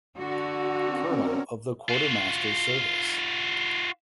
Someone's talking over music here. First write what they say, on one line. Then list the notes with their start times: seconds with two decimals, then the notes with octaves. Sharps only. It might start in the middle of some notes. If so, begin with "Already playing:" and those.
Colonel of the quartermaster service.
0.18 D3 F#4
0.81 C4 C#4 A#4
1.89 F4 F#4